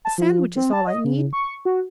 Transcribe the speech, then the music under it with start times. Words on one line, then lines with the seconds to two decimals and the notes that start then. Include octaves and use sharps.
A sandwich is all I need.
0.05 A5
0.18 F3
0.56 C4
0.73 A5
0.87 D#5
1.04 C#3
1.33 C#6
1.65 F#4